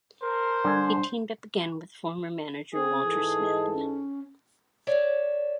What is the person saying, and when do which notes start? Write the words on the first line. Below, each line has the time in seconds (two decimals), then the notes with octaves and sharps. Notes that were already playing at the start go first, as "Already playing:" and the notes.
He teamed up again with former manager Walter Smith.
0.22 A#4 C5
0.64 D3 G3 D4 G#5
2.75 C4 G#4
3.05 G#2 E3 A4
3.39 G#3
3.73 C#4
4.87 C#5 D5 E5